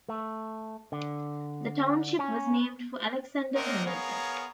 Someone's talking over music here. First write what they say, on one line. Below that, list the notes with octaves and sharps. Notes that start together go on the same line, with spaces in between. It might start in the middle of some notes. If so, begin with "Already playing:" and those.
The township was named for Alexander Hamilton.
A3
D3
C#4
A#3 C4 D4 A#4 D#5 F#5
B3 G#4 A#4 C#5 F5 A#5